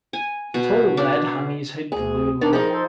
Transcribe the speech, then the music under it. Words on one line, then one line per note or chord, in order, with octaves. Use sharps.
The tall lad hung his head gloomily.
G#5
B2
D4
D2 G#4
D#3 D4
F3 D#4 G#4 A#4 G5
A4 C5